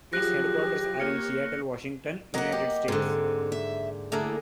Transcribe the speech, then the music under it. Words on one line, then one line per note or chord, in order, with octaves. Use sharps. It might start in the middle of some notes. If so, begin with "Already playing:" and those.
Its headquarters are in Seattle, Washington, United States.
F3 F#3 G4 G#4 F#6 A#6
A#3 C#5 F6 C#7
F#3 A#3 D#5 F#5
G4
G#2 D3 C4
E5
D3 A3 A#3 E4 G#4 A#4